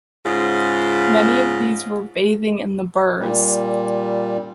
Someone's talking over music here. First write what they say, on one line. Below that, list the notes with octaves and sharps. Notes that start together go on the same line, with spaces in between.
Many of these were bathing in the Birs.
G#2 C#3 F4
A#2 G3